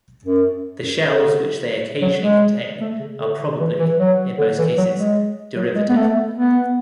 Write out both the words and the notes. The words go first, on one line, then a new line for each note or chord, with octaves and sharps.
The shells which they occasionally contain are probably, in most cases, derivative.
F#2
F#2
D3
F#3
G#3
A3
C#3
D3
E3
E3
F#3
D3
E3
F#3
G#3
F#3
G#3
B3
A3
B3